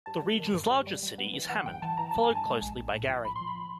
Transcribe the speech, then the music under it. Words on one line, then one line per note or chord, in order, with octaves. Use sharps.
The region's largest city is Hammond, followed closely by Gary.
G2 A5
G3
D#3
G2
G3
G3
G3
B3
E3
E3 F#5
G1 G5
E3 A5
E3 A#5
G2 A5
G#5
G2
A5
G#3
A#1
A#1
A2
F3
A#1 B5
C6
F3
B5